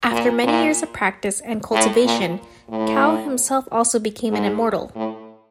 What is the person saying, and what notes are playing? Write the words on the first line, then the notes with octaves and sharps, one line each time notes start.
After many years of practice and cultivation, Cao himself also became an immortal.
A#2
A#2
A2
A#2
A2
G#2
A2